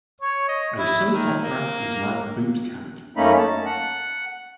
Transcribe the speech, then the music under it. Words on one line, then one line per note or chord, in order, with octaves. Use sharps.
A soap opera is like boot camp.
C#5
D#5
E4
D#3
A#3
F#2 A3 A#3 C#4 D#4 B5
A5
F#5